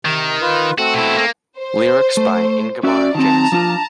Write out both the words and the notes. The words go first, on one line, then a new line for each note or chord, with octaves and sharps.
Lyrics by Ingemar Jansson.
C3 D#3
F4 B4
A3 C4 F#4 A4
B2 E4
A#3
C5
A3
C#4 F#4 D5 E5
D#3 F#3 C4 A5 A#5
F3 D4 F4